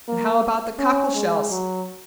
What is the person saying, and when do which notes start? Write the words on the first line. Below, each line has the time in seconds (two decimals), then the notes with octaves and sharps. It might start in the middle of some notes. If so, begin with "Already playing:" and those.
"And how about the cockle-shells?"
0.08 A#3
0.79 C#4
1.15 G#3
1.50 F#3